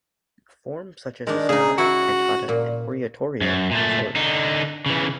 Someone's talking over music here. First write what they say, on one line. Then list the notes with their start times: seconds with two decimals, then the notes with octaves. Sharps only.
Forms such as the sonata, cantata and oratorio flourished.
1.27 D#3 G#3 D4
1.49 C#3 D#4 G#4
1.78 E4 F#4
2.49 A#2
3.41 F#2
3.71 A#2 A3
4.16 D3 D#4
4.86 C#3 E3